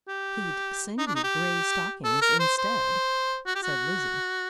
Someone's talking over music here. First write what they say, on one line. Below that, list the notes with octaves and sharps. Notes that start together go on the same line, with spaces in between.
"He'd send you grey stockings instead," said Lizzie.
G4
D#4
D4
D#4
G4
A4
A#4
C5
C5
F#4
G4
F#4